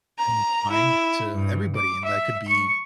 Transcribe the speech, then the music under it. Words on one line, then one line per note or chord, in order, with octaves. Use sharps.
I'm kind to everybody, and that could be
A#5
E4
G2
D6
E5
C#6